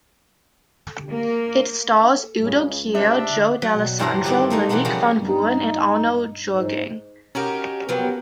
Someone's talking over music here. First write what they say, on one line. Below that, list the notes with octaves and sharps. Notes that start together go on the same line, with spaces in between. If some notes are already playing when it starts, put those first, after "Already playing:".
It stars Udo Kier, Joe Dallesandro, Monique van Vooren and Arno Juerging.
A#3
C#2 C#3
C3 D4 E5
F#3
E2 G2 E3 F#3 C5 A#5
D#3 G3 E4 F4 G4 C5
A3 A#3 D#4
E3 F#3 B3 C4 D4
C#3 F3 G3 A#3 B3 C#4
D#4
G#2
C#4 D#4 F#4 G4 A#4
F3 F#3 A#3 B3 G4